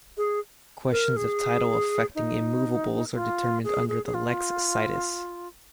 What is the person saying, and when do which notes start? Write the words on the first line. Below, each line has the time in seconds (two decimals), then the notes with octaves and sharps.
Questions of title affecting immovables are determined under the "lex situs".
0.17 G#4
0.91 A#4
1.16 G#4
2.15 D#4
3.14 F4
3.64 G#4
3.89 G#4
4.05 G#4
4.14 F4